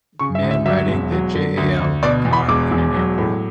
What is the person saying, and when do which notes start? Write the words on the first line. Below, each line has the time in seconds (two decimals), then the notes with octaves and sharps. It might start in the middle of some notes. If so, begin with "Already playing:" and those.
Man riding the JAL car in an airport.
0.19 C#3 C#6
0.35 E5
0.42 D2
0.51 E5
0.66 F#3 E5
0.88 E1
1.12 F#3
1.34 D3
1.57 D2
1.80 D2
2.03 B2 D5
2.25 E2
2.33 B5
2.48 E1 D6
2.71 E1
2.94 F#3
3.18 A2